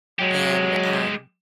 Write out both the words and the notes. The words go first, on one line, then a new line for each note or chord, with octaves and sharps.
and, um
F#3 G#3 G4